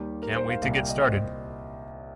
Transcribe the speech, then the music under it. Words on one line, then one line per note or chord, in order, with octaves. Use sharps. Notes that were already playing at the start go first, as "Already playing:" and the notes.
Can't wait to get started!'.
Already playing: D#2 D#3 G3 A#3 G4
A#4
C5
F5
C2 A#2 G3 F5
G5
D#5
C5